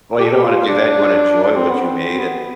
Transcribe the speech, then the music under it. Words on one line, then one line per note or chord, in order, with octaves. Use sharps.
Well, you don't wanna do that, you wanna enjoy what you made, and,
G4
A4
G4
F4
D4
D4
C4
B3
C4
B3